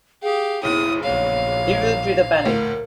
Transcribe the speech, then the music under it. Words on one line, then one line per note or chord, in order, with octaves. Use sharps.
He will create a panic.
G4 G#4 F5
F#1 B1 C#3 E4 D#6
A#1 A#2 C#5 F5
D2 A2 A#4